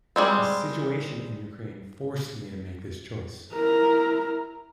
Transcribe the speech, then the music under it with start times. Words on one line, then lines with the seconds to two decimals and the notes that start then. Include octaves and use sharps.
The situation in Ukraine forced me to make this choice.
0.16 G3 G#3 C4
3.53 E4 A#4